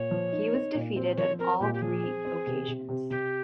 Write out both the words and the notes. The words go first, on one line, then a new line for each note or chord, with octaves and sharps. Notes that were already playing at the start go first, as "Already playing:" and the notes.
He was defeated on all three occasions.
Already playing: A#2 C#5
F3
D#4
D#4
A#2
C4
F3 C#5
C4 A#4
A#2 G4
G4
F3 G#4
C4
C4
C3
C3
C3
C3 G4